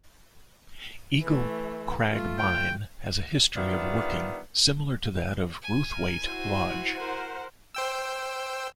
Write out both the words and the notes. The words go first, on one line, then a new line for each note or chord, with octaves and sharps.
Eagle Crag Mine has a history of working similar to that of Ruthwaite Lodge.
E3 A3
A3 F4
G5
D#3 G3 B3 D4 F4 E5
G#5
A#4
E4 F#4 C5
A#4 C5 F#5
C5 G5 E6